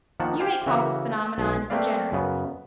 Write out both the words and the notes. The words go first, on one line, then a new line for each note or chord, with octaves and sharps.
You may call this phenomenon degeneracy.
D#3 F3 A#3 F#5 A5
G4 C5 F5 G5 G#5
C#3 E3 F#4 E5
B1 G#4
A3 A#3 C4 B4 D5 F5
F#2 C#3 B3